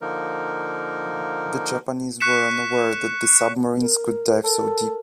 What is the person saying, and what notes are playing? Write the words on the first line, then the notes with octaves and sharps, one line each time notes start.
The Japanese were unaware that the submarines could dive so deep.
D3 F3 A#3 D#4 A#4
C#6 F#6 B6 C#7 E7
A#4
A4 A#4